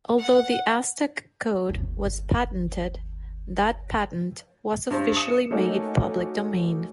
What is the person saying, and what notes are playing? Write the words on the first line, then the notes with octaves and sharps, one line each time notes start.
Although the Aztec code was patented, that patent was officially made public domain.
F#5
G1 D#2
G2 C5
D#6 C#7 E7
A3 A#3 C#4 D#4 F#4